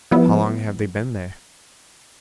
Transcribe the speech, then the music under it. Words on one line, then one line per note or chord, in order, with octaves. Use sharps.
"How long have they been there?"
F3 G3 B3 E4